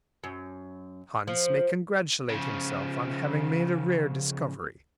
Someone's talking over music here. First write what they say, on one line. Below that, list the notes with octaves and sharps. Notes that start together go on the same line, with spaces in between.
Hans may congratulate himself on having made a rare discovery.
F#2
F3
C#3 F3